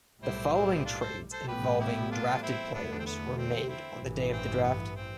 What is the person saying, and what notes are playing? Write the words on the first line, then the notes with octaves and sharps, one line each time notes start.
The following trades involving drafted players were made on the day of the draft.
B1 A2 G3 C4 E4
C4 E4
D4 F4
A4 C5
A4 C5
A1 A2 G3 B3 G4 B4
E4 G4
D4 F4
C4 E4
E2 D3 A3 B3 D4
E4
D4
C4
B3
C4
C4 E4
A1 G2 E3
C4
B3
C4